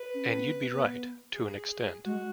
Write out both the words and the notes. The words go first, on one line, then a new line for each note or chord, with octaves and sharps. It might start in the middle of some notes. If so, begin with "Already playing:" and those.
And you'd be right, to an extent.
Already playing: B4
C#4
C#4
B3
B3
G#4
G#3 F#4